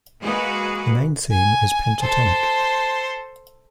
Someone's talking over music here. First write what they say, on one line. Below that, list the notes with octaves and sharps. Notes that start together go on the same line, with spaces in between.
The main theme is pentatonic.
G#3 A#3 F#4 G#4 B4
G#5
A4 C5